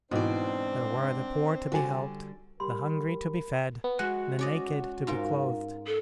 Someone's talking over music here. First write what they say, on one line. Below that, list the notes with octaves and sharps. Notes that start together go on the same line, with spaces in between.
There were the poor to be helped, the hungry to be fed, the naked to be clothed.
G#2 B2 E3 C4 D4 C5 D5
D3 G3 F#4 G#5
G3 A#4 B5 C6
B3
G#3 F#4 F#5
C#4 D5 D#5
G#2 F4 A#4
A4